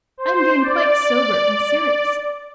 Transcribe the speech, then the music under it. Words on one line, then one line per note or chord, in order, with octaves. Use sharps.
I am getting quite sober and serious.
C5
D5